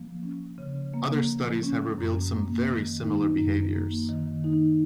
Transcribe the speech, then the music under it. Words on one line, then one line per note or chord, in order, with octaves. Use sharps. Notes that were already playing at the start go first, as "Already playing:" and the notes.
Other studies have revealed some very similar behaviors.
Already playing: F3 A#3
C#4
C#3
A#3
F3
C#4
F#2
A#3
D#3
D#4
F#2
A#3
D#3
D#4